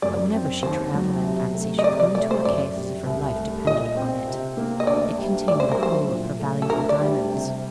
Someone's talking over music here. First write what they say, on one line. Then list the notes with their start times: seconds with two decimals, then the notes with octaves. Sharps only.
But whenever she travelled, I fancy, she clung to her case as if her life depended upon it; it contained the whole of her valuable diamonds.
0.02 F#2 D5
0.33 C4
0.63 D#2 C5
0.94 F#3
1.24 C3
1.54 A3
1.79 D#5
1.84 C3 D5
2.00 D5
2.15 A3 D5
2.31 C5
2.45 F#2 D5
2.76 G3
3.06 C2
3.36 A3
3.67 A#2 D#5
3.97 C4
4.27 C3
4.57 A#3
4.80 D#5
4.87 D2 D5
5.18 G3
5.48 D2 D5
5.60 C5
5.72 A#4
5.79 F#3 C5
6.09 A#2
6.39 A3
6.62 A4
6.70 D2 A#4
6.89 D5
7.00 G3
7.30 C3